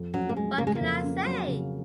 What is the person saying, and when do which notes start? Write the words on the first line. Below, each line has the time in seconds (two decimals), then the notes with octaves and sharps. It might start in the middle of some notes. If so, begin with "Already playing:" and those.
What could I say?
Already playing: F2
0.14 F#3 C#4
0.29 A#3
0.36 F#3 G#3
0.58 C#3 A#3
0.67 G#3
0.75 A#3
0.81 F2
1.04 C#4
1.25 F#3
1.47 C#3